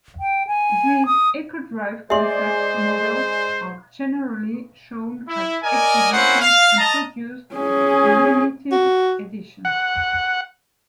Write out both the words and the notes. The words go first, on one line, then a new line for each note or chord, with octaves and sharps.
These Eco-Drive Concept Models are generally shown at exhibitions and produced in limited editions.
G5
G#5
D#6
G#3 G#4 C5 D5 E5 C6
E4
A#4 D5 D#5 G#5
A#3 C4 C#4 E4 C5 F#5
F5
D#5 A5 A#5
C#4 G#4
F#4
F#5